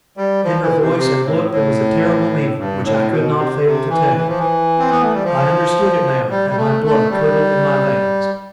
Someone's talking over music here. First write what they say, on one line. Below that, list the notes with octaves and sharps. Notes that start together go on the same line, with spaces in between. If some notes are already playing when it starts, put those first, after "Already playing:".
In her voice and look there was a terrible meaning, which I could not fail to take. I understood it now, and my blood curdled in my veins.
G3
F3
E3
C3
C3
A2
A2
G2
A2
B2
C3
C3
E3
E3
F3
E3
C4
B3
A3
G3
F3
G3
G3
A3
A3
G3